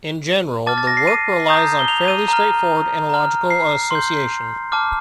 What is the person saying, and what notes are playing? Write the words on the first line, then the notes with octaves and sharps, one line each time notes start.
In general, the work relies on fairly straightforward analogical association.
A5 D6 F6 A6
A6
A#6
C7
D#7
A#5 D#6 G6
G7
F7
D#7
A#5 F6
A#5 F6
C7
C6 G6
A5 D6 F6